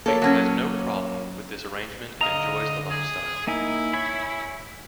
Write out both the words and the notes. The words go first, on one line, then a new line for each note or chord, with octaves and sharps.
Faith has no problem with this arrangement and enjoys the lifestyle.
A#3 A4 C#5
F#3 C#4
D3 D#5 F5 A#5
G#4
A#3 D#4 E4 G#5
C#5 G#5 B5